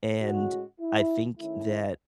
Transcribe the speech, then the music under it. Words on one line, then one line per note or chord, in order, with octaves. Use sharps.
and I think that
A2 G#3 C#4 F#4
E4
D#3 A3 C#4 E4